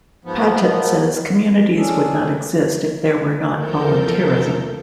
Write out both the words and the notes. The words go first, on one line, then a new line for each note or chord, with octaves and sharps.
Padgitt says, Communities would not exist if there were not volunteerism.
G#2 F3 B3
D#3
G#3 C#4 D4 G#4 A4
E2 F3 A4 A#4 G6